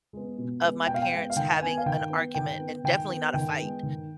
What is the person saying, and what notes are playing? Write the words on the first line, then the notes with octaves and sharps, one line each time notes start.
of my parents having an argument, and definitely not a fight.
G#3 B3
B2
G#3 B3
B2 G5
F5
G5
G#3 B3
F5
D#3 G5
B3 G#5
F5
D#3 G5
B3
D#3 G5
B3
D#3 G5
B3
D#3 G5
G#3 B3
D#3